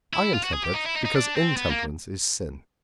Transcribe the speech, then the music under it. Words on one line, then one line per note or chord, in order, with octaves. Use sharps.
I am temperate because intemperance is sin.
E4
F4
F#4
G#4
G4
D#4
E4
D#4
D#4
D4
C4
B3
A#3